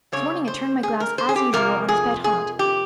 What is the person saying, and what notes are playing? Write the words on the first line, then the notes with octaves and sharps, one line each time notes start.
This morning I turned my glass, as usual, on his pet haunt.
C#3 G3 C4 C#5
C5
G#4
A#4
C5
G#4
G4
F2 C3 F3 A#3 A#4
G#4
G#4
G4